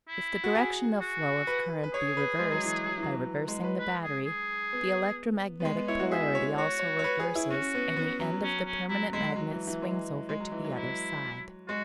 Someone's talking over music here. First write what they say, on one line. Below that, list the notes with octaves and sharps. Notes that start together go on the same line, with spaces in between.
If the direction of flow of current be reversed, by reversing the battery, the electromagnetic polarity also reverses and the end of the permanent magnet swings over to the other side.
E4
F#4
G#4
F#4
B4
B4
G#4 C#5
B4
G#3
F#3
E3
F#3
E3
F#3
E3
G#3
B4
B4
G#4
G#4
B3
B3
G#3
B3
E4 C#5
F#4
G#4 E5
C#5
F#4 C#5
C#5
C#5
B4
G#4
E4
C#4 F#4
B3
B3
F#3
C#4
C#4
F#3 E4
G#3 E4
F#3
E3
E3
G#3
G#3
F#3
E3
F#3
E4
G#3 F#4